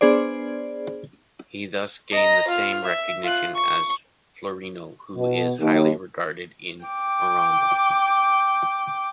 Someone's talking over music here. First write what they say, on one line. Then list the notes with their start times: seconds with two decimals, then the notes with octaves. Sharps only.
He thus gained the same recognition as Florino, who is highly regarded in Murano.
0.01 B3 D4 G#4 C5 D5
2.12 D#5 A#5
2.47 F4 F6
2.84 E5
3.23 F4 F#6
3.55 C#6
5.16 B2
5.60 D#2
6.86 G5 D6